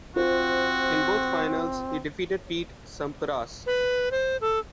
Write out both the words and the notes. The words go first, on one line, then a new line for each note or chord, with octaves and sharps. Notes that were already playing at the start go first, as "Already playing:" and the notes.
In both finals, he defeated Pete Sampras.
C4 F4 F#4 C5
B4
C5
A4